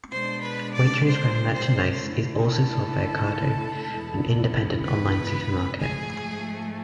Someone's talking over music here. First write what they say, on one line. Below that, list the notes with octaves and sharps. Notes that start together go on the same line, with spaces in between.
Waitrose brand merchandise is also sold by Ocado, an independent online supermarket.
B2 G#3 D4 C5 C6
B4 B5
D5 D6
C5 C6
C5 C6
D3 A3 E4
A4 A5
E2 B2 G#3 B3 E4
B4 B5
G#2 F3 A3 G#4 G#5